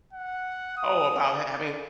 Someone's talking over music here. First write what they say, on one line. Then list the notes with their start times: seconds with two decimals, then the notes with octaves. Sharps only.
Oh, about h having
0.13 F#5
0.77 D#6
1.35 D5